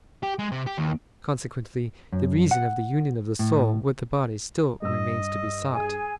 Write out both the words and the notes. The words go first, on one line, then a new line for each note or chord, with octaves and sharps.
Consequently the reason of the union of the soul with the body still remains to be sought.
G4
G#3
C3
G4
D#2
F#2
F#5
A2
G2 D#5 E6
G#4 G#5